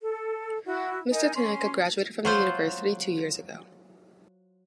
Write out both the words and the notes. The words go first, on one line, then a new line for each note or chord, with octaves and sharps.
Mr. Tanaka graduated from the university two years ago.
A4
E4 F#4
D#4 A#4 D#5 G#5
C#4 C6
F#3 F4 C5